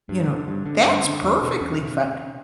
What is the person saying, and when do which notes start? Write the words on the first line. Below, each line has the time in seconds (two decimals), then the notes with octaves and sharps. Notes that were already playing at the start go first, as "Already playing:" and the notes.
You know? That's perfectly fine.
0.09 G2
0.27 D3
0.47 G2
0.66 D3
0.85 G2
0.91 D4
0.99 C#4
1.04 D3 D4
1.23 E2
1.42 B2
1.61 E2 C#4
1.79 B2